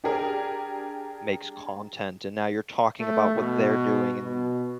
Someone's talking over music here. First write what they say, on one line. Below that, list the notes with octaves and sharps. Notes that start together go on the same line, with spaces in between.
makes content, and now you're talking about what they're doing, and
D4 G4 G#4 A#4
A3
B2
B2